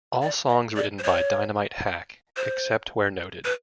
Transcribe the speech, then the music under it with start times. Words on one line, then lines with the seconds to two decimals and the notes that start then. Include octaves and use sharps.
All songs written by Dynamite Hack, except where noted.
0.22 D5
0.49 D#5
0.76 D5
0.99 C5
1.03 C#5
2.37 C5
3.45 B4